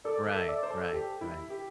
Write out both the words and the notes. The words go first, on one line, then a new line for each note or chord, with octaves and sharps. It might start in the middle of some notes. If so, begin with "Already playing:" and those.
Right, right, right.
A4 D5
E5
A4
D5
C5
A4
G4
E4
G4